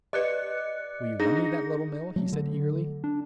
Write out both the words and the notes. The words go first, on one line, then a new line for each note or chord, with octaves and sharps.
"Will you lend me that Little Mill?" he said eagerly.
G4 B4 D5 D#5 F#6 C#7
D4 D#4 G#4 A#6
F#3 A3
D3
D4